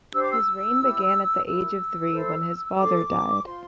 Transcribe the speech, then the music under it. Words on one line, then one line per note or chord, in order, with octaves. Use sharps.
His reign began at the age of three, when his father died.
D4 G4 C5 E6
D6
E6
E4 G4 C5
E4 A#4 E6
E4 A4 C5
D4 A4 C5 D6
F4 C5 C6